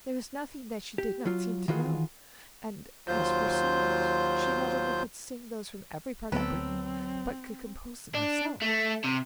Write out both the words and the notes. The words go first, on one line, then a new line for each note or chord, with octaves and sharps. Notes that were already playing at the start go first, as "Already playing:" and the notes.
There was nothing that she did not seem to know, and as for songs she not only could sing those from every part of Brittany, but could compose them herself.
G4
F#3 F4
D#3 E3 F4 F#4 G#4
D#2 F#3 F4 C5 G6
D2 F#3 B3 C4 A4 B4 G5
D4
A3
C3